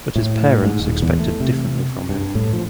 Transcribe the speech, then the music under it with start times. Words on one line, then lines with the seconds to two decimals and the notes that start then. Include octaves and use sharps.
But his parents expected differently from him.
0.16 A2
0.63 G#2
0.80 D#1
1.02 E2
1.19 A3
1.40 C3
2.09 G2
2.35 A2
2.53 F3